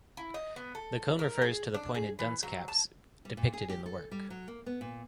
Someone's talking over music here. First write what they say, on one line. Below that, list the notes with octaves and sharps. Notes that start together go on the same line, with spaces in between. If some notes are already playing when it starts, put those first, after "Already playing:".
The cone refers to the pointed dunce caps depicted in the work.
E4
D#5
B3
A4
A#4
G#4
D4
G#4
E3
F#3
A5
G3
A#2
G#4
G4
A4
G3
F#3
A#3
B3
A#2